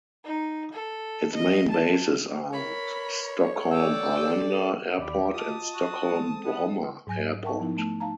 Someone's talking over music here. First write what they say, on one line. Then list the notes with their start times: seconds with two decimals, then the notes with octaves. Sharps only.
Its main bases are Stockholm-Arlanda Airport and Stockholm-Bromma Airport.
0.24 D#4
0.72 A4
1.34 D#5
1.70 A5
2.53 A#4 C#5 B5
3.71 A4 D5 G5 E6
4.99 D#2 G4 D5 B5
5.34 F4 D#5 A5 D#6
5.73 F#4
6.12 G#3 C4 A4
6.45 B3
7.07 G#2 F#3 G#5 A#6
7.43 A#4 E5 F#5 G5 A5 C#6
7.60 F3 B3 D#4 E4
7.77 A3 A5
8.00 D#4 F5 A5 A#5